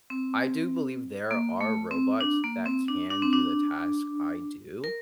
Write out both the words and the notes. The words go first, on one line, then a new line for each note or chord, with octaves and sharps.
I do believe there are robots that can do the task I do,
C4
A#3
A3
C4
D4
A#3
C4
D4
D4
C4
D4
A#4